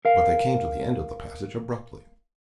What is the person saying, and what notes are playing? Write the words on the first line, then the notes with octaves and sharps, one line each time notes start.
But they came to the end of the passage abruptly.
A#4 F5